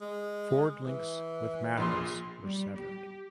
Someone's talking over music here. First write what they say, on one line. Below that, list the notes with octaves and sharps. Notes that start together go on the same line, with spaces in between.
Ford links with Mathis were severed.
G#3
E3
A#1 A#2 G#4 C6
G3
G4